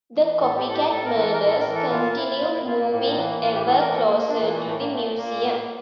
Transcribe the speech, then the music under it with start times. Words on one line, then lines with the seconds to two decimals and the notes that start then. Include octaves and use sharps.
The copycat murders continue, moving ever closer to the museum.
0.15 E3
0.40 A2 A4
0.57 G4
0.66 A2 A4
0.74 G4
0.91 A2 A4
1.05 A#4
1.16 E3 A4
1.32 A#4
1.41 A2
1.46 A4
1.60 A#4
1.66 E3
1.74 A4
1.91 A#2 F4
2.16 A#2 E4
2.41 A#2 F4
2.54 E4
2.66 A#2 F4
2.79 A#3
2.91 A2 A#3
3.17 E3 A#3
3.42 A2 F4
3.54 G4
3.66 E3 A4
3.80 A#4
3.92 A#2 A4
4.04 A#3
4.17 A#2 A#3
4.29 D4
4.42 E3 A#3
4.55 A3
4.67 A2 A3
4.79 A#3
4.92 A#2 A3
5.17 A#2 A#3
5.42 A2